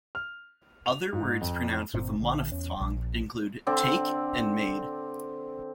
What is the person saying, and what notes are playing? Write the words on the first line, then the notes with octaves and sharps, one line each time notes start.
Other words pronounced with a monophthong include: take and made.
F6
F7
G#2
F2
G1 A#2 C4
A#1 D3
E2 C#4
A#1
D3 C4 D5